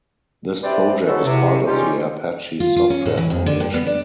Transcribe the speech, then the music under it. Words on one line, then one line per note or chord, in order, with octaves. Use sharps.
This project is part of the Apache Software Foundation.
C4 E4 G4 B4 C5 D5
C#3 F#3 G#3 B3 F#4 A4
E2 C3
G3 G#3 C#4 D#4 F4 G4
F4
F4
C#4
A2
E3
F2
D3
G2
B3
D4